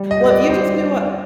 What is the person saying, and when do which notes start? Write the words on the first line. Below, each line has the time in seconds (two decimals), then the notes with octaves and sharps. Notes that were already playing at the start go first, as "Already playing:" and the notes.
Well, if you just do a
Already playing: G3
0.11 D#5
0.21 G4
0.30 D5
0.49 G3 C5